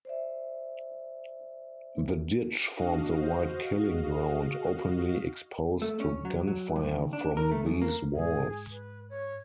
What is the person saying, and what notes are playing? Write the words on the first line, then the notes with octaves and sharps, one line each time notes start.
The ditch forms a wide killing ground openly exposed to gunfire from these walls.
C5 D5 E5
D4 F#4 D#5 F5
C5
G#4
A3
C#4
F#3
F#3
G2
D#2
D4
A#4
A3
F#2
A#3
G#2 G#4
B4
C#5